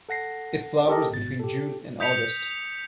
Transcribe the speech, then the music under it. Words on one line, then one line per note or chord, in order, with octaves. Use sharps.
It flowers between June and August.
A4 F#5 A#6 C7
G4 A4 A#4 D#5
G#1 B2 A6
G4 A4
D#6 G6 B6 C#7 F7